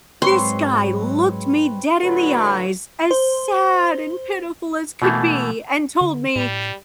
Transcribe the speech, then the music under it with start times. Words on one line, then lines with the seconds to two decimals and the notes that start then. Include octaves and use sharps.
this guy looked me dead in the eyes, as sad and pitiful as could be and told me,
0.22 G#2 F#3 G#3 C4 B4 C#5 C6
2.02 A2 D3 F#3 B4
3.11 C5
5.02 B2 E3 A3 A#3
6.01 D3
6.36 A2 G3